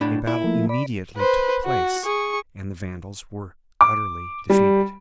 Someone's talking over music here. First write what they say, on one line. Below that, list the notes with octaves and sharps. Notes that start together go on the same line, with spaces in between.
A battle immediately took place, and the Vandals were utterly defeated.
A2 D4 B5
E4 D5
F3 A3 A#3
D5 B5
B4 C5
F#4
G#4 C#6
D6
G3